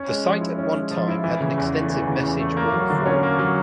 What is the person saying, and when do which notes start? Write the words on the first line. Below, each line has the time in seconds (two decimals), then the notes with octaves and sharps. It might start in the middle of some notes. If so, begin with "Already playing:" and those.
The site at one time had an extensive message-board forum.
Already playing: C#4
0.08 G#3
0.24 F3
0.41 E4
0.58 C#4
0.74 G#3
0.91 F3
1.08 E4
1.24 E3
1.40 C#3
1.58 E2
1.74 A3
1.90 E3
2.07 C#3
2.24 E2
2.40 A3
2.57 A#3
2.73 F#3
2.90 D3
3.06 C#4
3.23 A#3
3.39 F#3